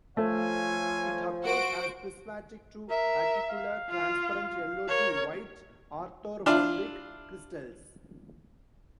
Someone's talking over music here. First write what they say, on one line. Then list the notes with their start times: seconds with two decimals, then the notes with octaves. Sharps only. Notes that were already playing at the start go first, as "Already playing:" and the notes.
It occurs as prismatic to acicular transparent yellow to white orthorhombic crystals.
0.17 F3 A3 C#5 F5 G#5
1.44 F#4 C5 D7
2.90 A#4 E5
3.49 F5
3.90 F4
4.88 A#4 C#5
6.46 D4 E4 F4